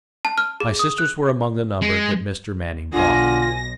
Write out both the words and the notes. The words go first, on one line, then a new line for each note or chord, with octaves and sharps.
My sisters were among the number that Mr. Manning bought.
A5
F6
G#4
D#6
F#6
G#3
B1 D3 F4 G#5 A#6